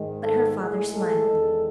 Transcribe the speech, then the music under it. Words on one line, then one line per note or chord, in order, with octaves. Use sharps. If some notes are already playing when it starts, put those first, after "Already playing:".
But her father smiled.
Already playing: G#2 D#3 G#3
A4
A2 G#3 G#4
A4
E2 D#3 G#3